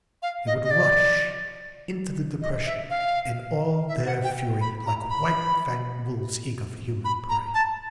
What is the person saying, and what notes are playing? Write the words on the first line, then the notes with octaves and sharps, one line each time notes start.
They would rush into the depression in all their fury, like white-fanged wolves eager for human prey.
F5
D#5
D#5
D5
D#5
E5
F5
E5
F#5
G5
B5
A#5
B5
B5
A#5
A5